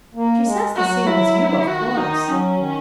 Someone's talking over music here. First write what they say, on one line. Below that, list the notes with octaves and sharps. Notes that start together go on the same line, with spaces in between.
"She says the same as you, of course."
A#3
G#3
F#3 F#4
E4
D#3 F#4
D#3 D#4
F#3 C#4
D#3